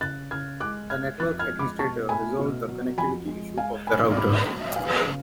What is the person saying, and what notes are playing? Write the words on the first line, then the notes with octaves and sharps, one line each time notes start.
The network administrator resolved the connectivity issue of the router.
C#3 F#6 A6
C#3 F6 G#6
G#3 D6 F#6
G#3 F6 G#6
F2 F#6 A6
F6 G#6
G#3
B5 D6
B2 A5 C#6
A3 G#5 B5
B2
F#3
F2 G#5 B5
G#3
G#3 F5 G#5
G#3 G#5 B5
F6
G#2 B5 D6
F#3
B3 F5 G#5
C#3